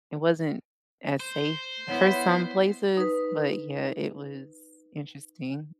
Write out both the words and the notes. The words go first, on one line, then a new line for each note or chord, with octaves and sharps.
it wasn't as safe for some places, but yeah, it was interesting.
C5
B3 E4 C#5 F#5
D#4 B4